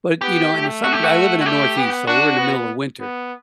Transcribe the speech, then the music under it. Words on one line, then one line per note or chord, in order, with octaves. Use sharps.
but, you know, in the summer- I live in the Northeast, so we're in the middle of winter,
B3 G4
A3
F#4
G4
F#4
F#4
A3 G4
B3
D4 F#4
B3
B3